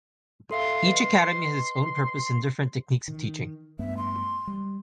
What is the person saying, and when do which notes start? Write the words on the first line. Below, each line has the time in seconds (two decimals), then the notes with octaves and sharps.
Each Academy has its own purpose and different techniques of teaching.
0.51 A4 E5 F5 C6
0.85 B4 D#5
3.08 D#3
3.79 G2 A3 B3 E5
3.97 C6
4.47 G3